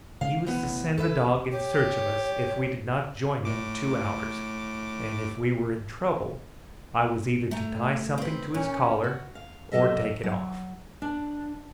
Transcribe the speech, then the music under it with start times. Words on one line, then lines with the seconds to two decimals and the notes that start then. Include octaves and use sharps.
"He was to send the dog in search of us if we did not join him in two hours; and if we were in trouble I was either to tie something to his collar or take it off."
0.21 C#3 G#3 C#4 F5
0.47 B2 E3 F3 B3
0.62 A1 C3
0.98 E2 A4 B4 E5
1.52 G4 C#5
3.45 A2 D6
7.51 A3 A#5
8.18 C4 B4
8.54 A#2 C#4
9.04 F#4
9.35 F5
9.72 F#3 A#3 A4 D#5 E5
10.23 F#3
11.02 D4